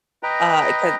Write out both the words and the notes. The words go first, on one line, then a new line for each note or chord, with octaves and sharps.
uh, 'cause
B4 D#5 G5 A#5